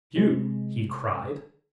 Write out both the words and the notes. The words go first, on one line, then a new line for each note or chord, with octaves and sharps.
"You?" he cried.
C3 G#3